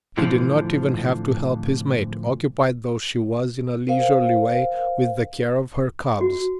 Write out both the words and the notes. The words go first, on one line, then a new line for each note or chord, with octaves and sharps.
He did not even have to help his mate, occupied though she was, in a leisurely way, with the care of her cubs.
F2 A2 D3 E3 F3
A#4 C5 F5
F#4